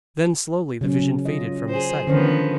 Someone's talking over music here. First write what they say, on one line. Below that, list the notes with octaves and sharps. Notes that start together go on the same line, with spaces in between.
Then slowly the vision faded from his sight.
C#3 F#3 C#4
F4 D#5
G#4 C5
D3 D#3 F3 B3 C#4 C5